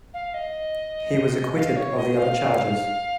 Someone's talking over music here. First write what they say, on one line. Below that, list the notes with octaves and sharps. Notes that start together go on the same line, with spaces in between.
He was acquitted of the other charges.
F5
D#5
F5
C#5
D#5
F5